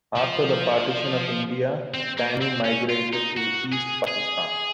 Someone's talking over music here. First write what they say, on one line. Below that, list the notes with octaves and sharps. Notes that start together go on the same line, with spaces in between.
After the Partition of India, Dani migrated to East Pakistan.
F3
C4
A#3
C4
C#4
F4
D#4
F#4
G#4
G#4